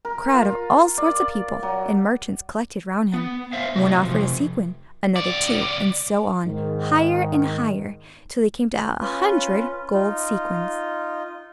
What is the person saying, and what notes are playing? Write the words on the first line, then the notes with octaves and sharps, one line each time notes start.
A crowd of all sorts of people and merchants collected round him; one offered a sequin, another two, and so on, higher and higher, till they came to a hundred gold sequins.
A#4
F4
D5
F#3
B3
C5 E5 F5
A2 C3 F#4
C3 F3
C#2 D5
G#2 D#3
C#4 F4 B4
D#4 F4